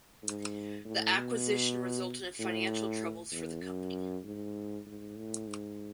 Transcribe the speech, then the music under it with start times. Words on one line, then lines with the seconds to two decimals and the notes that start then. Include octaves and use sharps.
The acquisition resulted in financial troubles for the company.
0.22 G#2
0.85 A2
1.15 B2
2.39 A2
3.31 E2
3.62 F#2
4.24 G#2
4.86 G#2
5.17 A2
5.47 G#2